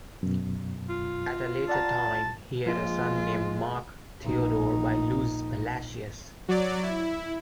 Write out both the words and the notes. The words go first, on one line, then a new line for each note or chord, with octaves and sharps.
At a later time, he had a son named Marc Theodore by Luz Palacios.
F#2 B2
F4
D5 F#5 A5 A#5
A#1 F3 G#3 F4
A#1 D#4
F#3 D5
E4